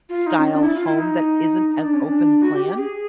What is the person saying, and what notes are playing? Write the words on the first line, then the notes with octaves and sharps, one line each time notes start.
style home that isn't as open plan,
F4
D#4
C#4
D4
E4
F4
E4
D#4
D#4
D4
C#4
D4
F#4
G4
G4
G#4